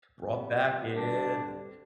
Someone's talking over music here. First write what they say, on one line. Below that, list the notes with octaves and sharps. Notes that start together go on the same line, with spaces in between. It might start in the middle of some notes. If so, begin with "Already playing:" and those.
brought back in, and
F2 C3 G3 B3
G2 D3 G3 C4 D4